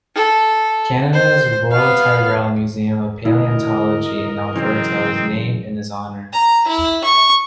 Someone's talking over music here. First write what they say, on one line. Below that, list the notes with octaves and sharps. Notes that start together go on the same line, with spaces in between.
Canada's Royal Tyrrell Museum of Palaeontology in Alberta was named in his honour.
A4
C5
B3 F5
D2 E4 A#4 D#5
F#2 C#3 E3 C4
A#5
E4
C#6